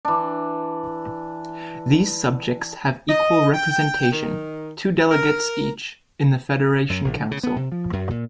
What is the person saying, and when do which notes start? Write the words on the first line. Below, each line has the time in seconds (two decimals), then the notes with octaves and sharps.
These subjects have equal representation-two delegates each-in the Federation Council.
0.05 E3 D4
3.08 D#5
3.54 G5
4.12 D#3
5.11 A#4
6.90 F#2
7.04 A#1
7.16 D3
7.31 C#3
7.43 B3
7.56 C3
7.72 F3
7.93 F#2
8.10 A#2